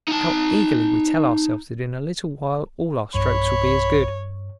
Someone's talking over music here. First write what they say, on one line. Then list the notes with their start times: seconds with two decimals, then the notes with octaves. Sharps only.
How eagerly we tell ourselves that in a little while all our strokes will be as good.
0.08 D#4 A5
3.14 B1 G2 C#5 B5